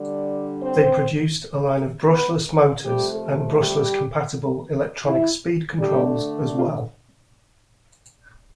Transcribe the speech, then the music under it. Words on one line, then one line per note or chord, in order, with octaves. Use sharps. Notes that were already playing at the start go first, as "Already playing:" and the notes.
They produced a line of brushless motors and brushless-compatible electronic speed controls as well.
Already playing: D3 G3 D4
C4 C5
B3 B4
C3 F3 G3 A3 G4
G3 G4
E4
D3 G3 A3 D4 G4
F4